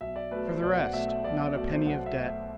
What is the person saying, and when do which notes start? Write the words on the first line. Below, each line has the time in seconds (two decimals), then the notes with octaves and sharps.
For the rest, not a penny of debt.
0.01 B1 E5
0.16 D5
0.31 B2 A3 B4
0.47 C5
0.62 B1 D5
0.78 F#5
0.93 B2 A3 E5
1.08 E5
1.24 B1 D5
1.40 D5
1.55 B2 A3 D5
1.71 C5
1.86 B1 F#5
2.06 E5
2.17 B2 A3
2.28 E5